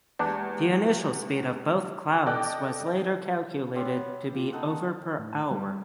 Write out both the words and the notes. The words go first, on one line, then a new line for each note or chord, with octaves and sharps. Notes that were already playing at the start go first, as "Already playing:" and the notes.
The initial speed of both clouds was later calculated to be over per hour.
E2 G#3 A#3 D4 G4
A4 D5 D#5 G5 D6 F#6
G3 B3 C4 C#5 C6
A#3 F4
D#4 A4 F#5 A5
A2
G3